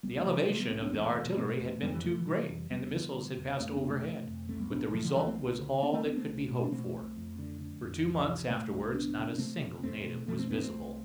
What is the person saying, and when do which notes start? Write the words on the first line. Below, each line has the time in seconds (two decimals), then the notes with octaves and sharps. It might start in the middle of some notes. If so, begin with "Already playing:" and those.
The elevation of the artillery had been too great, and the missiles had passed overhead; but the result was all that could be hoped for, for two months afterwards not a single native was visible.
0.03 C2 G3 B3
0.19 F3 A3
0.26 C3
0.33 E3 G3
0.48 C3 F3 A3
0.59 G3 B3
0.70 C2 A3 C4
0.81 B3 D4
0.93 E2 A3 C4
1.15 B2
1.37 B2 A3 C4
1.60 E2
1.82 F2 G3 B3
1.93 E3 G3
2.04 C3 F3 A3
2.15 E3
2.26 C3 E3 G3
2.49 F2
2.71 E2 G3 B3
2.94 D3
3.16 D3
3.38 E2
3.60 F2 A3 C4
3.75 B3 D4
3.82 C3
3.89 A3 C4
4.05 C3
4.27 F2
4.49 C2 A3 C4
4.60 G3 B3
4.71 C3 B3 D4
4.93 C3 F3 A3
5.05 D3 F3
5.15 C2 E3 G3
5.27 A3 C4
5.38 D2
5.60 D3
5.83 D3 B3 D4
5.94 A3 C4
6.05 D2 B3 D4
6.16 A3 C4
6.27 C2
6.49 B2
6.64 D4
6.71 B2 A3 C4
6.94 C2
7.16 F2
7.39 D3
7.61 D3
7.83 F2
8.05 C2
8.27 C3
8.49 C3 A3 C4
8.72 C2
8.94 D2 B3 D4
9.16 C3
9.38 C3 A3 C4
9.61 D2
9.83 E2 A3 C4
10.06 B2
10.27 B2 F3 A3
10.39 A3 C4
10.50 E2 B3 D4
10.61 A3 C4
10.72 C2